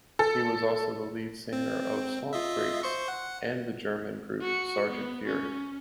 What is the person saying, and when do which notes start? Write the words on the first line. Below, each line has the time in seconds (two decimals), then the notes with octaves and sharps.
He was also the lead singer of Swampfreaks and the German group Sargant Fury.
0.19 A4
1.53 C4
2.33 F4 D#5 E5
2.83 C5 C6 C#6
3.08 F#5
4.41 F#4 C#7
4.87 B3
5.27 C#4